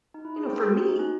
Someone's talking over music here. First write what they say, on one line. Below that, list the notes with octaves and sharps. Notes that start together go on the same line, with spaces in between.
You know, for me,
D#4
E4
G#4
C4 C5
G#4
F#4
F#4
D#4
C#4